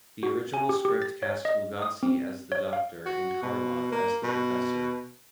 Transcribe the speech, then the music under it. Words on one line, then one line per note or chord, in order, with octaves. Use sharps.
The original script cast Lugosi as the doctor and Karloff as the professor.
F#4
G#5
G4
G4
A6
C#5
D#5
D#6
C4
C#5
F5
F#4
B2
A#3
B2